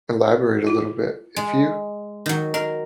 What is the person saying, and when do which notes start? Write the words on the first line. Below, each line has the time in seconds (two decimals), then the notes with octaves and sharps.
elaborate a little bit. If you
0.67 E4 F4
1.36 G#3
2.26 D#3 F#3
2.54 A#4 D#5